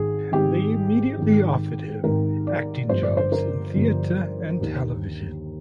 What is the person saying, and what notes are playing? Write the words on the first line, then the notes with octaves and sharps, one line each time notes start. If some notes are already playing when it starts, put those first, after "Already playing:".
They immediately offered him acting jobs in theater and television.
Already playing: G#1 G#2 D#3 G#4
G#1 G#2 D#3 G4
G#1 G#2 D#3
G#1 G#2 D#3 A#4
D5
G1 G2 D3 F3 C5
D5
C5
A#4
G1 G2 D3 F3
D#2 D#3